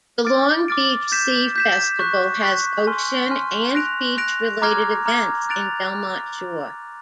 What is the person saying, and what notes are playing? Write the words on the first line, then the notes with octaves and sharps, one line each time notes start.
The Long Beach Sea Festival has ocean- and beach-related events in Belmont Shore.
D6 F6 A6 D7
D6 F6 A6 D7
G6 B6 E7
G6 B6 E7
C#6 F#6 B6
C#6 F#6 B6
G#5 C6 F6
G#5 C6 F6
F#6 A#6 D7 F7
F#6 A#6 D7 F7
A#5 D6 F6 G#6
A#5 D6 F6 G#6
F#6 A6 D7 F7